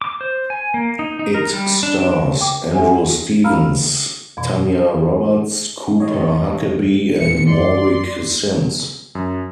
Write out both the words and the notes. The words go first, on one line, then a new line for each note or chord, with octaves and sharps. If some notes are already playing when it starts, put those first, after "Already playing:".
It stars Andrew Stevens, Tanya Roberts, Cooper Huckabee, and Warwick Sims.
D6
C5
G#5
A#3
D#4
D#4
A#4
G3
D4
D4
G5 D6
A4 E5 F#5 G#5
F5 A#5 B5 E6 F6
F2 B2 E3
A2 C3 D#3 C#5 D#5
A#2 E3 F3 C#7
F#2 F#3 G#3 D5 C6
F#2